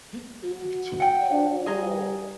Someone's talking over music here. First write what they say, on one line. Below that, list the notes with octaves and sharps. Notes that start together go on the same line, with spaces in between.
He ached all over.
F#4
F#5 G5
D4
G3 G#4 D#5 A#5